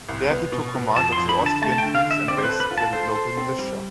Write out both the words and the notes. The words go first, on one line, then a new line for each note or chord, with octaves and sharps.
There he took command of the Austrian troops and raised the local militia.
C2
B3
B2
B2
F2 A5
C6
F2
B5
D3
A5
A3 A5
A5
G5
D3
F5
D3
E5
C4 D5
C5
B4
A4
B4
F4
A5
A4 C5
A4
C4
G3